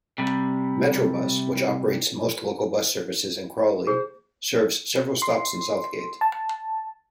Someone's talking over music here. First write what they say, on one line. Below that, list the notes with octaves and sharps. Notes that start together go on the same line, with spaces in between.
Metrobus, which operates most local bus services in Crawley, serves several stops in Southgate.
C3 G3
G#4 C5
C6
A5